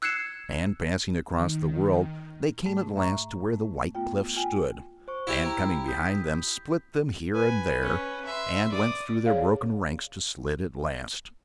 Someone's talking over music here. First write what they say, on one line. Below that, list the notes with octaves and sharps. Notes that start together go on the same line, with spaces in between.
And passing across the world they came at last to where the white cliffs stood, and, coming behind them, split them here and there and went through their broken ranks to Slid at last.
E6 F#6 G#6 C7 C#7 E7
D#3
G#2 A3
E5 A#5 C#6
A3
A3 B3 F4 G5
F4 G5 G#5
C5 C#6
E4 G4
A#5
D#6 G6 B6
B4 G#5
C#4
E5 C6
D5 D#6
G#4 C#5 D5 F5